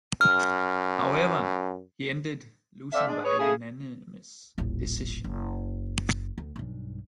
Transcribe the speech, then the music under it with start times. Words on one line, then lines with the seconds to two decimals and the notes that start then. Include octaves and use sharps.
However, he ended losing by unanimous decision.
0.21 F#2 F6
2.93 C4 A4 D5 E5 F5
3.08 G#3 D4
3.24 G#4 B4 C#5
3.39 C#3 A3 G#4
4.58 D#1 A1
5.24 F#1
6.38 D2
6.56 B1 G2